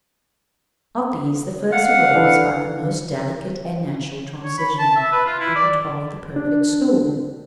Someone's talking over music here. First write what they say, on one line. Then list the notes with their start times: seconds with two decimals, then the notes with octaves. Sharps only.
Of these the first arose, by the most delicate and natural transitions, out of the perfect school.
1.72 F5 F#5
2.15 E3 D4 A4
4.44 C#5
4.58 B5
4.78 A5
4.96 E5
5.12 B4
5.26 F4
5.40 E4
5.55 D5
6.36 D4